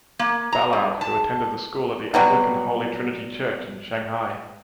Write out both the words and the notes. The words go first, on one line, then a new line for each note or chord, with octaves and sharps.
Ballard, who attended the school at the Anglican Holy Trinity Church in Shanghai.
A#3
A#5
G2
A5
B2 F#3 G3